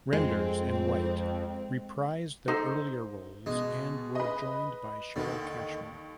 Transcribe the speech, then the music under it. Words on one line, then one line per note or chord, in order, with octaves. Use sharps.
Renders and White reprised their earlier roles and were joined by Cheryl Cashman.
F2 G#3 C4
D#4 A4 C5
B2 G#3
B4 D#5
D#2 D3 D#3